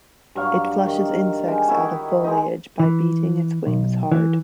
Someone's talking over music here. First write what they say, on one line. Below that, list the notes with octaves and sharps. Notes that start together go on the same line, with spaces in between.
It flushes insects out of foliage by beating its wings hard.
G2 F#3 F5 C#6
D#3
G#3 D4 G5
D#3 D#4 E4 F#4
G#3 D#4
E3
B1
E3